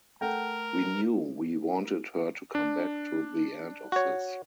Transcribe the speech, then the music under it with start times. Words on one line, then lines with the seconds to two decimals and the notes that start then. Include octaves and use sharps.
We knew we wanted her to come back to the end of this.
0.21 A3 A#4 F#5 G5
2.55 D4
3.92 F#4 C#5